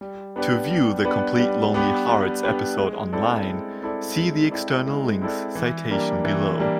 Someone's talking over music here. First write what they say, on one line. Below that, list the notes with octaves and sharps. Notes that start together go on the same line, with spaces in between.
To view the complete "Lonely Hearts" episode online, see the External links citation below.
G3
B3 D4 G4 B4
G3
B3 D4 G4 B4
G3
B3 D4 G4 B4
G3
B3 D4 G4 B4
G#3
C4 E4 A4 D5
G#3
C4 E4 A4 D5
G#3
C4 E4 A4 D5
G#3
C4 E4 A4 D5
E3
G3 A#3 D4
E3
G3 A#3 D4